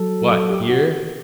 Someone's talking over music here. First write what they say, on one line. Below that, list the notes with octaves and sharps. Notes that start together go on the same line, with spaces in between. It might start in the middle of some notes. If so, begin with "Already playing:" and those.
"What, here?"
Already playing: F#3 A4
A4
G4
F#4